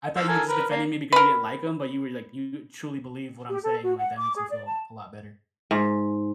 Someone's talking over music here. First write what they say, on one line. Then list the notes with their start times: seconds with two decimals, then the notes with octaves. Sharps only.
I thought you were just defending me because you didn't like him, but you were like you truly believe what I'm saying, and, like, that makes me feel a lot better."
0.16 F3 E6
0.29 A4 A#4 G#5
0.49 A#4 B4
0.70 A#3
1.12 A#4 B4
3.49 G4
3.62 A4
3.83 F#4
3.97 F#5
4.17 D6
4.36 G#4
4.50 D5
4.65 A5
5.71 G#2